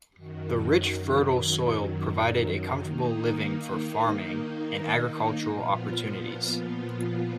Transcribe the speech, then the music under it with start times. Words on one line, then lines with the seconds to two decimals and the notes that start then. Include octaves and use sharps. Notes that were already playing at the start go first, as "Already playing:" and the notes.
The rich, fertile soil provided a comfortable living for farming and agricultural opportunities.
0.15 F#2 D#3 F#3
2.81 D#3 A#3 D#4
5.48 A#2 F3 B3 F4